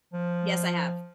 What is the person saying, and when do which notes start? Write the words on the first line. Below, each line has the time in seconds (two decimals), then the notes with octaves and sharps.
Yes, I have.
0.13 F3